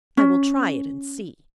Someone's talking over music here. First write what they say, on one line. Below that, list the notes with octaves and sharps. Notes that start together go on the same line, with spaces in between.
"I will try it and see."
C#4